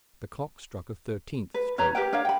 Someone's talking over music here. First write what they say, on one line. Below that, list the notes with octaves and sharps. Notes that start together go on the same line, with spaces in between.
The clock struck a thirteenth stroke.
B4
C#4 B4 C#5 A#5
G4 A#4 B4 G5
D4 A#4 C#5 F5
G5 B5